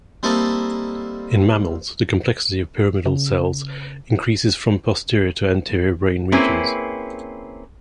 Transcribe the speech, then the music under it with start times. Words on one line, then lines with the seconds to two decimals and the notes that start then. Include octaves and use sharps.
In mammals, the complexity of pyramidal cells increases from posterior to anterior brain regions.
0.23 G3 A#3 C4 D#4 E4 A4
3.06 C#3
6.32 A#3 C4 C#4 E4 G#4 B4